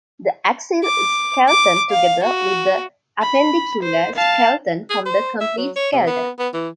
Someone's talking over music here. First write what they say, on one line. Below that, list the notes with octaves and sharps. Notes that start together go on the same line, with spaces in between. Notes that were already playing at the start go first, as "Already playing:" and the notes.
The axial skeleton together with the appendicular skeleton form the complete skeleton.
D6
D6
F5
F#4
B5
C5
F5 A5
G#4
C5
E5
F#3
C#5
C3
B3
B3
E3